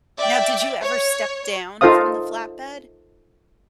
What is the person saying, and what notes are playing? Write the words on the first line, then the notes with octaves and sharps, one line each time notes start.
Now, did you ever step down from the flatbed?
D5 E5 G5
C#5
D#4 F4 A4 C5 F5 D#6